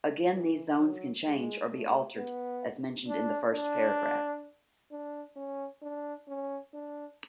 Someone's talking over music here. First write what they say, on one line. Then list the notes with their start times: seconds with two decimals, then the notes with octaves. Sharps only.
Again these zones can change or be altered as mentioned in the first paragraph.
0.32 E3
0.78 F#3
1.25 G#3
1.71 A3
2.16 B3
3.08 D4
3.54 D4
4.91 D4
5.36 C#4
5.82 D4
6.28 C#4
6.74 D4